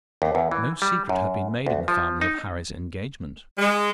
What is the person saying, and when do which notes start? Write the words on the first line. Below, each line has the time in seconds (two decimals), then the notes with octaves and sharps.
No secret had been made in the family of Harry's engagement.
0.22 D#2
0.35 E2
0.51 E3
0.82 G3
1.09 F#2
1.67 D2
1.88 F3
2.21 D#4
3.58 G#3